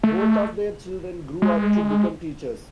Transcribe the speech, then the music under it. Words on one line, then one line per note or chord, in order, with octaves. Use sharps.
Both of their children grew up to become teachers.
A3
G#3